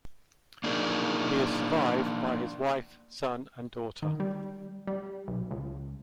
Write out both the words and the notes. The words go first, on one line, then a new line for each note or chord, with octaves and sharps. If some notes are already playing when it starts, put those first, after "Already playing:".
He is survived by his wife, son and daughter.
A#3 D4 D#4 G#4 A#4
D#3
G3
G3
B1
C#2